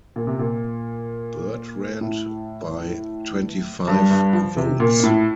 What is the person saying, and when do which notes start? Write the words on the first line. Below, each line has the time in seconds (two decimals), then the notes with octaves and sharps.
Bertrand by twenty-five votes.
0.16 A#2
0.27 C3
0.39 A#2
2.01 A2
3.87 G2
4.11 G2
4.33 F3
4.57 C3
4.80 A#2
5.03 A2